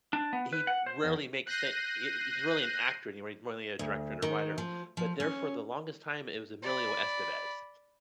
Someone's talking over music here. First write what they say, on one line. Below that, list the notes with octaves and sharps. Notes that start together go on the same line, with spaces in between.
he rarely makes the he he's really an actor anyway. He's more than a director and a writer, but there for the longest time, it was Emilio Estevez.
D4
B3
B4
F#5
C5
E2
F#6 G6 A#6 C7 D#7
D2
D#3
F3
F3
C#4
D5 B5